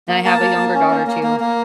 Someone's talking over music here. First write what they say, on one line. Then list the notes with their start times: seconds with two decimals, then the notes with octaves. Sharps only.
and I have a younger daughter too.
0.08 A#3
0.25 A#3 A5
0.41 A#3
0.58 A#3
0.74 C#4
0.90 A#3
1.07 A#3
1.23 A#3
1.40 A#3